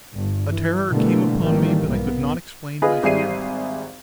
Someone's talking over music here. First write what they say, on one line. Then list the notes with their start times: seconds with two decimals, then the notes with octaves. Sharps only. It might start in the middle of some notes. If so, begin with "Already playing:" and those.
A terror came upon me, but I could not explain my fear.
0.12 G1 G2
0.49 E3
0.90 B2 D3 E3 G3 A3 A#3
1.41 G#1 D#3 E3 G3 A3 A#3
1.87 B1 G#2 A#3 B3
2.82 B3 F4 G#4 B4 D#5
3.03 G#1 G3 G#4 E5 C7 D#7